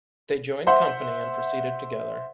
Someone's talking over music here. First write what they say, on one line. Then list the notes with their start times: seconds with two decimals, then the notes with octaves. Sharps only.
They joined company and proceeded together.
0.67 C5 E5 F#5 C6